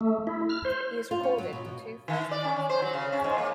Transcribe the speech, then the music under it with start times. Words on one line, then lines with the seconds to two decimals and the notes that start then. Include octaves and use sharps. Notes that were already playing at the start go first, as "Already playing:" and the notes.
He is recorded in two first-class matches.
0.01 A3
0.27 E4
0.49 F6
0.65 C5
1.11 F4
1.23 C#4
1.38 F#3
1.53 B2
1.65 B2
2.08 D#3
2.31 D5
2.44 C#4
2.56 D#3
2.70 C5
2.82 F#3
2.93 C#3
3.12 C#4
3.24 G#2
3.38 A#3